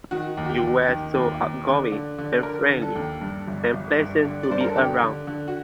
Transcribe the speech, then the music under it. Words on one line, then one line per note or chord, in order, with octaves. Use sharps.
You were so outgoing and friendly and pleasant to be around.
D#3 F#4
D#2
F#4
G4
D#2
D#3
D#2
D#2
D3
D3
D3
D3 A#4
D3
A4
D#2
G2
G1
G1
G2
D3
D5
G2 C5
A#4
A4
D3 G4
D3
D3
F#4